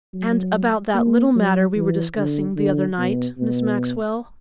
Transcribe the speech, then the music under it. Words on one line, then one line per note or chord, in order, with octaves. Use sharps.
And about that little matter we were discussing the other night, Miss Maxwell.
F#3
A#3
F#3
E3
D3
D3
B2
B2